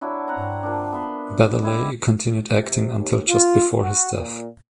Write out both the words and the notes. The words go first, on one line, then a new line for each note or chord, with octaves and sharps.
Baddeley continued acting until just before his death.
F#3 D4 E4 F#4
C4 F#5 A#5
F3 A#3 D4
B3 E5 B5 C6
G#3 E4 G4
C3
D#2
F4
F#4
A#2